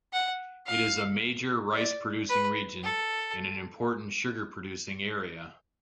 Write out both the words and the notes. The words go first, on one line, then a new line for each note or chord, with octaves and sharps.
It is a major rice-producing region and an important sugar-producing area.
F#5
F5
D5
B4
A4